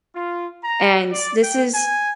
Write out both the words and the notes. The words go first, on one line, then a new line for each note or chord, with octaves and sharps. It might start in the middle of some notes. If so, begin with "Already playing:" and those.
And this is
F4
A#5
D5
G5
G#5